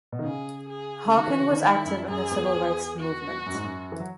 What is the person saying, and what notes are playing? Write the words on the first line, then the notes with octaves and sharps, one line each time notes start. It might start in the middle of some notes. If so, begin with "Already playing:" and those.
Hawken was active in the Civil Rights Movement.
B2
D#3
C#3 G#4
G#4
C#3
D#3 F#4
E3
C#3
D#3
D#3 E4
F#2
F#2 G#4
E2
E2
F#4
F#2
G#2
F#2
E3
F#3